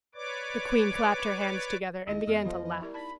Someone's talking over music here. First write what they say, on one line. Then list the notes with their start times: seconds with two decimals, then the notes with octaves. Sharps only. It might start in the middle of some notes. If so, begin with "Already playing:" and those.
The queen clapped her hands together, and began to laugh.
0.15 B4 C#5 D5 D6
2.07 D#2 A3 D#4 E4 D#5
2.27 F2 G#3 B3 A4
2.45 F3 F4 A4
2.82 E4 G4 A#4 D5
2.94 D#4 D5 A5 B5